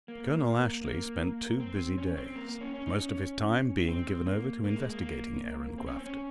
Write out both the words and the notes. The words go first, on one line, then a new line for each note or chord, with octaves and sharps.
Colonel Ashley spent two busy days, most of his time being given over to investigating Aaron Grafton.
A#3
A#3
C4
C#4
C4
A#3
A#3
C#4
C#4
D#4
C#4
C4
A#3
A#3
G#3
A#3
A#3
C4
C#4
C4
C#4